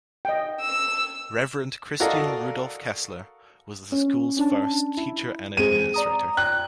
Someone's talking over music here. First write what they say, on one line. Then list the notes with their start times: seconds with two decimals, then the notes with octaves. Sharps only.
Reverend Christian Rudolph Kessler was the school's first teacher and administrator.
0.25 D#5 G5
0.61 E6
2.00 F#4 A4 A#4 D5 D#5 F5
3.92 C#4
4.37 C#4 D4 A5
4.97 E4
5.57 G#3 C4 G#4 D#7
5.94 D5 A#5 D#6
6.37 G5 F#6